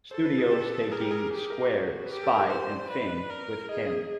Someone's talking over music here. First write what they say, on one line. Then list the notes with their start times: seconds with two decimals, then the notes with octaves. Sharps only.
Studios, taking "Squared", "Spy", and "Finn" with him.
0.11 A4 C5
0.26 B4
0.38 G#4
0.51 G4
0.92 G#4 A#4
1.01 G4
1.11 G#4
1.31 G4 G#4
1.50 A#4
1.71 F#4 G#4
2.06 B4
2.11 G4 A#4
2.23 A4
2.37 A#4
2.50 B4 C5
2.70 D5
2.90 B4 D5
3.30 A#4
3.69 G#4 D#5